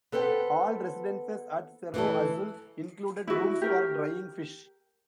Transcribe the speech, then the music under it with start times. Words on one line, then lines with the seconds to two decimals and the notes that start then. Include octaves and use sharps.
All residences at Cerro Azul included rooms for drying fish.
0.12 B3 A4 B4 C5 G5
1.94 E3 A3 A4
3.27 E4 F#4
3.62 G4 A#4